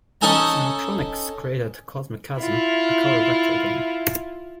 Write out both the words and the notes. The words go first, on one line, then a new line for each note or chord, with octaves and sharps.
Cinematronics created "Cosmic Chasm", a color vector game.
C#4 D#4 A4 G#5 A#5
E4 F4